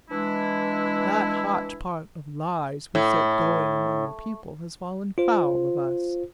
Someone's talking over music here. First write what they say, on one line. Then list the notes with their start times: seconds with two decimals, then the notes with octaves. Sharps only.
That hotch-pot of lies we set going among the people has fallen foul of us.
0.10 E3 G#3 D4 E4
2.95 A2
5.18 F4 C5